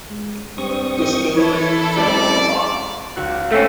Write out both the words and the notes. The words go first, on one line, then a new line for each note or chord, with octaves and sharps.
Distinguished Service Cross.
G#3
G2 C4 C#6 D#6
E3 E4 A4 C#5
F#2 G#3 C4 D5
C#2 F#4 F#6
A3 C4 C#4 A4